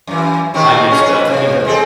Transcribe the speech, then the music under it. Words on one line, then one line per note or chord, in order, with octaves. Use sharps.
I get stuff, you know
F#2 E3
C3 D#3 C4
C#3 C#4 G#4
F#2 D#3 B4
C3
G#3 C4 A4